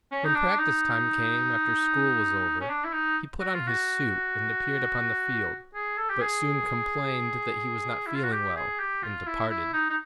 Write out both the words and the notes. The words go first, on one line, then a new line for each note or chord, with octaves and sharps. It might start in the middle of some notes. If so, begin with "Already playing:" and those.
When practice time came after school was over, he put on his suit and appeared upon the field, but soon complained that he was not feeling well, and departed.
C#4
D#4
D4
D#4
C#4
D4
E4
D#4
F#4
F4
F#4
G#4
A4
G4
G#4
E4
F4
F#4
G4
G#4
G4
F4
E4
E4
D#4
D#4